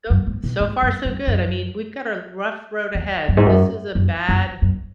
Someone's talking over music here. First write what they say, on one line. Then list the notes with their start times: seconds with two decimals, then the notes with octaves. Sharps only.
So so far, so good, I mean, we've got a rough road ahead. This is a bad
0.10 F#2
0.27 G#2
0.44 B2
0.60 G#2
0.82 F#2
1.05 F#2
1.27 F#2
2.95 E2
3.28 F#2
3.37 G#2
3.46 F#2
3.95 F#2
4.29 F#2
4.62 F#2